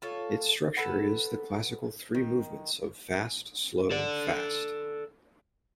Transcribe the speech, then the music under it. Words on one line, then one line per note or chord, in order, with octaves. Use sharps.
Its structure is the classical three movements of fast-slow-fast.
F4 A4 C#5
A4 B4 F#5
D#3
A4 D5